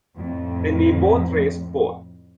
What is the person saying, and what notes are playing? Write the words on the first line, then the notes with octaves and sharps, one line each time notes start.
Then we both raised both.
F2 A2